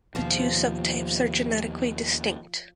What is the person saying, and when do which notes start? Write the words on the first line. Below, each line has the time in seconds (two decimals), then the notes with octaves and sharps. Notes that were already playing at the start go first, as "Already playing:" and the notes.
The two subtypes are genetically distinct.
0.15 D#2 B2 F3